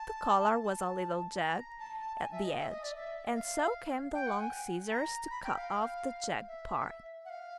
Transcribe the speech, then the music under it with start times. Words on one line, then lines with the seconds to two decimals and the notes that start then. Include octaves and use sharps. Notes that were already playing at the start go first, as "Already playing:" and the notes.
The collar was a little jagged at the edge, and so came the long scissors to cut off the jagged part.
Already playing: A5
0.62 A5
1.41 A#5
1.80 A5
1.99 A5
2.19 G#5
2.32 E5
2.44 D#5
2.58 E5
2.71 D#5
2.83 D5
2.96 E5
3.36 F5
4.14 G5
4.26 F#5
4.39 G#5
4.91 A#5
5.30 B5
5.44 G5
5.56 F5
6.48 E5
7.25 F#5
7.30 F5